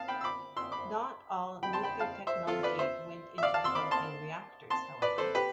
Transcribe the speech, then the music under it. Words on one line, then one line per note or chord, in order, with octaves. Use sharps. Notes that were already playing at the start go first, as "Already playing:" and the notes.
Not all nuclear technology went into developing reactors, however.
Already playing: F5 A5
G5 B5
E6
B5 D6
C6 E6
B5 D6
G5 B5
A5 C6
G5 B5
F5 A5
C5 E5
F4 A4
B4 D5
C5 E5
E5
D5 F5
F5 A5
C6 E6
B5 D6
A5 C6
A5 C6
B4 D5
A4 C5
G4 B4